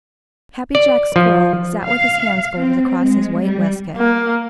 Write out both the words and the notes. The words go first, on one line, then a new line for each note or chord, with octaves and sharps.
Happy Jack Squirrel sat with his hands folded across his white waistcoat.
D5
F3
F5
C4
G#3
G3
A#3